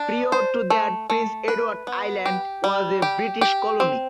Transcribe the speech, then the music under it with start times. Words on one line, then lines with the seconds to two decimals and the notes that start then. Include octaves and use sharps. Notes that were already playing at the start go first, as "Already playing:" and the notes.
Prior to that, Prince Edward Island was a British colony.
Already playing: D4
0.32 C5
0.70 A3
1.10 A3
1.48 B4
1.87 B3
2.26 G4
2.64 G3
3.02 G4
3.41 G4
3.80 C4